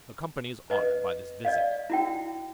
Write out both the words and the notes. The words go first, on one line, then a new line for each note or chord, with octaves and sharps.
"The Company is honored by this visit."
B4 D#5
D5 D#5 F5
E4 F#4 G5